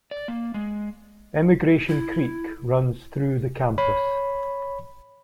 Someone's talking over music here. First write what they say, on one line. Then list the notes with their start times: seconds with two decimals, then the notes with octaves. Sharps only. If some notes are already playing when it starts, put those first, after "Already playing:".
Emigration Creek runs through the campus.
0.11 D5
0.28 A#3
0.54 G#3
1.89 E4
3.78 C#5 B5